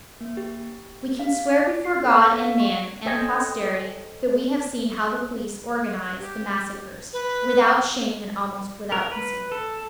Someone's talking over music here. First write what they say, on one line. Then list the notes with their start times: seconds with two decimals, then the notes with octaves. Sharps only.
We can swear before God and man and posterity that we have seen how the police organise the massacres, without shame and almost without concealment.
0.21 A#3
0.37 G4
1.19 F5
1.57 D5
1.85 C7
2.05 A4
2.33 F5
2.60 C#6
3.06 A4 C5 C#5 D#5 G5 G#5
6.20 G4
7.13 B4
8.92 A#4
9.12 B4
9.52 A4